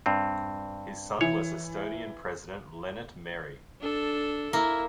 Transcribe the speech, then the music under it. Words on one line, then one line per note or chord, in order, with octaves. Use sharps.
His son was Estonian president Lennart Meri.
G2 C4
E3 C#5
D4 A4
A#3 E4